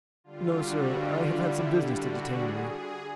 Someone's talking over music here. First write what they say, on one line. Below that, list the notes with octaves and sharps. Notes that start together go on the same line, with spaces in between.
"No, sir; I have had some business to detain me."
D3 G3 F4
F#4
F4
E4
F#4
G#4
G#4